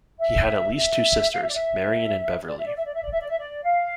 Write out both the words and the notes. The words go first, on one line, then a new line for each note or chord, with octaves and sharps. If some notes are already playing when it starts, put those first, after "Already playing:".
He had at least two sisters, Marian and Beverly.
E5
E5
F5
E5
D5
E5
D5
E5
D5
E5
D5
E5
D5
E5
D5
E5
D5
F5